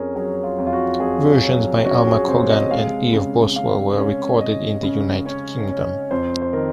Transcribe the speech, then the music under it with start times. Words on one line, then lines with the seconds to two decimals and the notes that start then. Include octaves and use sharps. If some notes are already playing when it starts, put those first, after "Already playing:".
Versions by Alma Cogan and Eve Boswell were recorded in the United Kingdom.
Already playing: F2 C#4 G#4 A#4
0.15 F#3 G#4
0.44 F4
0.58 F2
0.67 F4
0.73 F#4
1.00 F2 G#4
1.43 F#3
1.85 C#4 F#4
2.07 G#4
2.28 C3 C5
2.50 D#5
2.71 G#3 F5
3.13 C#3
3.56 C#3 F5
3.98 C#4
4.40 C#4 D#5
4.83 C#3
5.25 C#4 C#5
5.69 C#4
6.11 F2 C5
6.42 C5
6.53 D#3 A#4